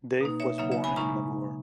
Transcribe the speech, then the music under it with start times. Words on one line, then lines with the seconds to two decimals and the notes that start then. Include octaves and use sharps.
Dave was born in Namur.
0.21 B2 A#3 D#4
0.40 C#5 E5
0.58 C#3 F#3 A#3 D#4 C#5 E5
0.72 C#5 E5
0.84 G#5 B5
0.96 C#3 G#3 D#4 A#5 C#6